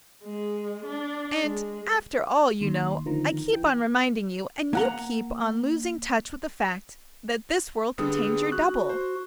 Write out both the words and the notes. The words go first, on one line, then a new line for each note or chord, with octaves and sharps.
"And, after all, you know--I keep on reminding you, and you keep on losing touch with the fact, that this world contains your double."
G#3
D4
G#3
D#2 C6
D2 D#3 F3 A#5
E3 G5
A#3 F#5 A#5
D3 G3 B3 G#4
F#4 F#6
C5